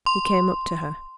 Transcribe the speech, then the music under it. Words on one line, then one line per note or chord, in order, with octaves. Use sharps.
He came up to her.
C6